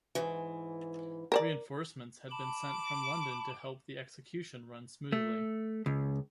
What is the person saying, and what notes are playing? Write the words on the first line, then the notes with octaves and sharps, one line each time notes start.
Reinforcements had been sent from London to help the execution run smoothly.
G#2 E3
A#4 C5 D5
A5 B5 D6
A3
C#2